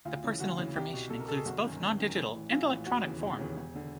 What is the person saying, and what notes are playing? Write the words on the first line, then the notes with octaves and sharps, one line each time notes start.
The personal information includes both non-digital and electronic form.
D2 F4
C#3 E3
D2 F#4
C#3 E3
C2 G4
B2
C2 A4
A#4
B2 A4
G#4
G1 F#4
F#2 D#3
G1
F#2 D#3
A#1
A2 E3
A#1 F4
A2 E3
E1 F#4
D#2 C#3 E3
E1
D#2 C#3 E3
E1
D3